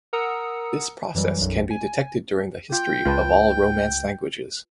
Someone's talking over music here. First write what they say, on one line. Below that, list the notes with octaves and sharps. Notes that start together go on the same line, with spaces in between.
This process can be detected during the history of all Romance languages.
A#4 F#5 A#5 D#6 E6 C#7
F#2 E3 F#3 G3
B1 F#2
G#5
F4 G5
C#2 F4 B4 A5